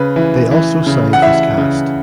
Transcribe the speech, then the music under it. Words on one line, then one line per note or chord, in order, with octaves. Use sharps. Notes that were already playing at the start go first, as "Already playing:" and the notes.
They also signed his cast.
Already playing: C#3 B4
E3
E3
C#3
F#5
E3 E5
C#3